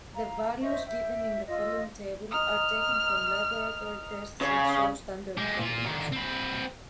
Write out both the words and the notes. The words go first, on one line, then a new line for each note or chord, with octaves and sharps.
The values given in the following table are taken from laboratory tests and show standard values.
F5 A#5
C5 D#5 E5 C#6
E5 G5
F4 D#5 E6
D#5 A#5 D#6 F6
C#3
G#3 G4
A#2 F4
D3 D#3
C4 B4